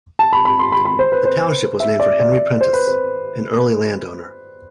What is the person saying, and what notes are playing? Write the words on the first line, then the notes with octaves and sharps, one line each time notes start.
The township was named for Henry Prentiss, an early landowner.
A5
B5
B5
C6
B5
B5
C5
B4
C5
E5
D5
D5
C5
B4
C5